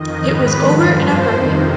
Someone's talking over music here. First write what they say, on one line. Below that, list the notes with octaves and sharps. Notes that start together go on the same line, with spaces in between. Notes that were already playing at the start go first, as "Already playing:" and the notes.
It was over in a hurry.
Already playing: F2 D#3 D#5
G#2 D#3 B4
G2 F3
G2 F3 C5
F2 C3 D#3